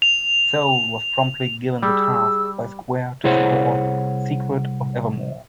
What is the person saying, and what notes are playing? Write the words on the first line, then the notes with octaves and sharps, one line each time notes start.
Soule was promptly given the task by Square to score "Secret of Evermore".
F7
G3 G#4 E6
C2 E4 G#4 C5 C#5 F#5